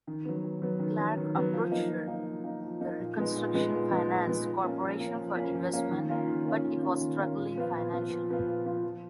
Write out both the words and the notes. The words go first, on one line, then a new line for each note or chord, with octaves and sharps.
Clark approached the Reconstruction Finance Corporation for investment, but it was struggling financially.
D#3
F#3 B3
D#3
F#3 B3
D#3
F#3 B3
D#3
F#3 B3
F3
A#3 D#4
F3
A#3 D#4
F3
A#3 D#4
F3
A#3 D#4
A#2
G#3 B3 D#4
A#2
G#3 B3 D#4
A#2
G#3 B3 D#4
A#2
G#3 B3 D#4
F3
A#3 C#4
F3
A#3 C#4
F3
A#3 C#4
F3
A#3 C#4
D#3
A#3 C#4 F4
D#3
A#3 C#4 F4
D#3
A#3 C#4 F4
D#3
A#3 C#4 F4
A#2
F3 B3 F4
A#2
F3 B3 F4
A#2
F3 B3 F4
A#2
F3 B3 F4
F3